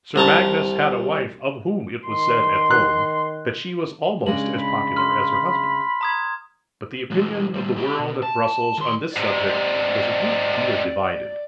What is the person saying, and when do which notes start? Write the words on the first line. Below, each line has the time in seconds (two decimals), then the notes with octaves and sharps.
Sir Magnus had a wife of whom it was said at home that she was almost as popular as her husband; but the opinion of the world at Brussels on this subject was a good deal divided.
0.16 C2 A#4 A5
2.08 D#3 C6
2.71 F#6
4.26 C#3 G#3 D4 F#7
4.59 B5
4.96 C6 F6
6.01 A#5 D#6 G#6
7.10 E3 G#3
7.54 D2 G3
7.76 E4 G4
7.99 B2
8.23 A5
8.78 D#2 C6
9.16 G#2 C3 D5